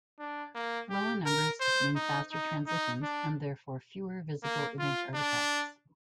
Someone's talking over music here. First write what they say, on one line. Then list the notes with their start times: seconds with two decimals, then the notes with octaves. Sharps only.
Lower numbers mean faster transitions and therefore fewer visible image artifacts.
0.19 D4
0.55 A#3
0.90 G4
1.26 A#4
1.61 C5
1.96 D#4
2.31 D#4
2.67 D#4
3.02 D4
4.43 A#3
4.79 F4
5.14 D4